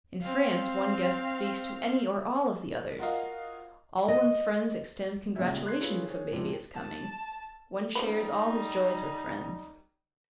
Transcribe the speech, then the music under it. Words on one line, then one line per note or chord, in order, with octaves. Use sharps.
In France one guest speaks to any or all of the others; all one's friends extend congratulations if a baby is coming; one shares all his joys with friends.
C4 F5
F4 F#4 A#4 D#5 F5
D#5
D#2 A#2 C#3 F#3 G#3 E5
C6 F#6 G#6 C7
C#4 F4 G#4 A4 B4
G#4 C#5
E2 G#2 C3 F3
A5
C#3 F3 G3 D#4 B4